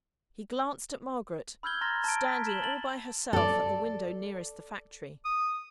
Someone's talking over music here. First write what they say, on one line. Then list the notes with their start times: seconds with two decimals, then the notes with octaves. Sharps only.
He glanced at Margaret, standing all by herself at the window nearest the factory.
1.63 B5 E6 F6 G6 G#6 G7
1.81 A#5 C6 F6 A6 A#6 G7
2.04 A5 D7
2.28 B6
2.47 E7 F#7 G7
2.62 A5 A6 F#7
3.33 A4 D5
5.25 D#6